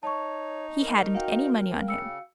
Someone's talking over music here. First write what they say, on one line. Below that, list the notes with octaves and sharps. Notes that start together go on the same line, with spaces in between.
He hadn't any money on him.
D#4 C#5 A5 C#6
A#4
F#4 F5 G5
C#3 E6 C#7